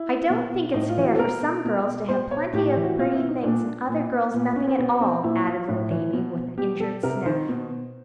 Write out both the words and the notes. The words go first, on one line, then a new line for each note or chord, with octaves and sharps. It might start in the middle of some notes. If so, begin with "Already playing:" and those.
"I don't think it's fair for some girls to have plenty of pretty things, and other girls nothing at all," added little Amy, with an injured sniff.
Already playing: E4
B2
A2 D#4
F4
E3
F#4
A4
B2 A#4
B2
B2 C5
C#5
A2 G4
G4
E3
F#4
B2 F4
E4
D#4
A#2 D4
A#2
A#2
C#4
C4
B2 B3
C4
A#2 E4
F4
A2
E3
B2
B2 G4
A4
C3 A#4
D#3 C5
B2